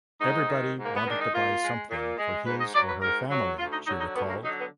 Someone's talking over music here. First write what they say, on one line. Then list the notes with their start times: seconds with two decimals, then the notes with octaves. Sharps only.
"Everybody wanted to buy something for his or her family," she recalled.
0.21 G#2 D#4
0.49 D#3 G#3
0.78 G#2
0.85 A#3
0.96 B3
1.05 D#3 G#3 D4
1.21 D#4
1.33 A#2 F4
1.62 G#3
1.91 A#2
2.18 G#3
2.46 G#2 B4
2.61 D#5
2.74 F#3 D5
2.89 B4
3.02 G#2 A#4
3.30 F#3
3.59 D2 F4
3.73 D#4
3.87 D3 F#3 D#4
4.01 D#4
4.15 D2 B3
4.30 A#3
4.44 D3 F#3 D#4
4.58 B3